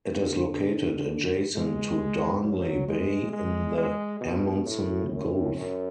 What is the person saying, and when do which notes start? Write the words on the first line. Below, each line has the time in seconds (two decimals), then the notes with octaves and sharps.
It is located adjacent to Darnley Bay, in the Amundsen Gulf.
0.21 D3
1.55 G#3
2.44 F#3
2.88 G#3
3.32 G#3
3.77 G#3
4.21 B2
4.65 A2
5.11 F#2
5.55 F#2